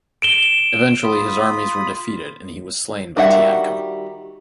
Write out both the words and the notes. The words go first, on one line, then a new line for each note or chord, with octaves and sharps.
Eventually his armies were defeated and he was slain by Teancum.
D7 E7 G7
F4 B5 D#6
D#3 G3 F#4 E5 F#5